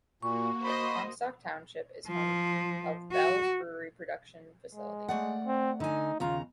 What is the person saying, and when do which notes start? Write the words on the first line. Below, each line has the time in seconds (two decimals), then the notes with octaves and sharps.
Comstock Township is home of Bell's Brewery production facility.
0.22 A#2 A#3 F#4 C#6
0.64 C5 D#5 B5
2.08 F3
3.12 F#4
4.75 G#3
5.09 A3 D5 F#5
5.46 C4
5.80 D3 D#4 G#5
6.20 D#2 C#3 F4 A#5